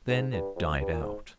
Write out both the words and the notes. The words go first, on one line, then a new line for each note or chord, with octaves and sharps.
Then it died out.
G#2
G2
F2
G2
A#2
G#2